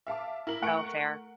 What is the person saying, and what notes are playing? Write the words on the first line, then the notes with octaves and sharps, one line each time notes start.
Oh, fair.
E5 F5 A5 D6
E4 A#4 F#7
A3 A#4 F#5 C#6 D7 F#7